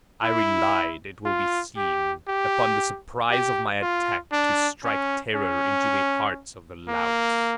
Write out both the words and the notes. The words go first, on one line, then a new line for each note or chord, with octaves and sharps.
I relied, it will be seen, upon the surprise of my attack to strike terror into the hearts of the louts.
E4
F4
G4
G4
G4
F4
D4
C#4
C#4
A#3